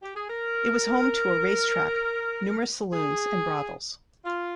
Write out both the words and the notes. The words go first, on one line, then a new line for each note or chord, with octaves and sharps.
It was home to a racetrack, numerous saloons, and brothels.
G4
G#4
A#4
G#4
F4